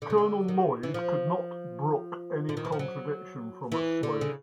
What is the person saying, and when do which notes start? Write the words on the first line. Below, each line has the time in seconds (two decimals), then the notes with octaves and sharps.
Colonel Lloyd could not brook any contradiction from a slave.
0.02 D3
0.10 C#3
0.18 D3
0.48 D#3
0.83 E3
0.94 F3
2.49 D3
2.57 D#3
2.65 E3
2.72 F3
2.79 F#3
3.72 E3
4.03 D3
4.21 C#3